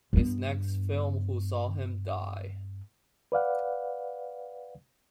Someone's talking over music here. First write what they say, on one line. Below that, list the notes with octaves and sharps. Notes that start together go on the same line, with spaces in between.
His next film Who Saw Him Die?
G2 B3
B4 D5 F5 F#5